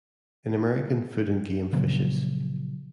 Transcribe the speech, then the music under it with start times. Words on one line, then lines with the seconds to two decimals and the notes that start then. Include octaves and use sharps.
In American Food and Game Fishes.
1.73 A#2 C#3 F3 F#3